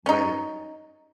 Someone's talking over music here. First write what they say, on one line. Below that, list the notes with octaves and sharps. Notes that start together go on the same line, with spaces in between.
let it
C#4 D#4